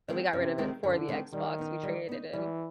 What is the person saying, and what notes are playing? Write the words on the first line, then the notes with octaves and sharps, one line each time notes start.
but we got rid of it for the Xbox; we traded it in.
D#3 G#3 C4
F#2 C3
D#3 G#3 C4
F#2 D3
D#3 G#3 C4
D#3 G3
B3 D#4
G3
B3 D#4
E3 G3